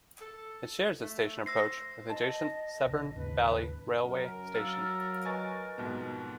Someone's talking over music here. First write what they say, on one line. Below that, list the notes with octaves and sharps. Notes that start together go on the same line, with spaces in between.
It shares its station approach with the adjacent Severn Valley Railway station.
A4
A3
C5 E6 A#6 C7
D#5 A5
A#1 C#3
D#2 G#2 C#3 B4
F#2 A#4
F#3 F5 E6 F6 A6 C#7
B4 D#5 G#5 C#6 A6
F2 G#2 B2